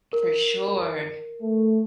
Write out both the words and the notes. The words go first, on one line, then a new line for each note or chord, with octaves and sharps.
For sure.
A#4
A3